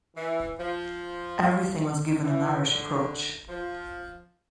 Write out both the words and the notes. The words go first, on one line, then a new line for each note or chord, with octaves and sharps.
Everything was given an Irish approach.
E3
F3
E3
D3
F3